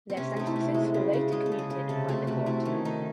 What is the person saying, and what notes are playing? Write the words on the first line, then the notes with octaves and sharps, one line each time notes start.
Their sentences were later commuted by the court.
C4
C3 C#4
A3 D#4
E4
C3
G#3 F#4
C#3
C#3
G#3 G#4
A4
C#3
G#4
C#3
C3 A4
A3 F#4
C3 F#4
A3 E4
D#3 C#4
D#3 D#4